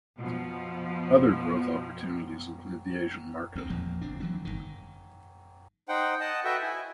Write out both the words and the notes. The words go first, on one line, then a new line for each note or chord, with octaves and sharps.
Other growth opportunities include the Asian market.
B2 F3
D2 C4
A#1 E2 F3 A#3
F#1 C4 D4
D3 E3 F#3 C#4
G1 C2 D#3
D#4 C5 F#5 G5
D#5 F#5 A5
F#4 A4 B4 D#5 E5 G5
E4 G#5